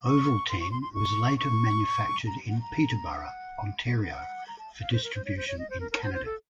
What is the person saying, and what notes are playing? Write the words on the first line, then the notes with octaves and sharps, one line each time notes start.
Ovaltine was later manufactured in Peterborough, Ontario for distribution in Canada.
C#6
C6
C#6
C6
C6
C#6
C#6
A#5
F#5
A#5
F#5
F#5
A#5
A5
F5
C5
A#4
C5
C#5
C5
C#5
D#5
C5
A#4
A#4
C5
C5
A4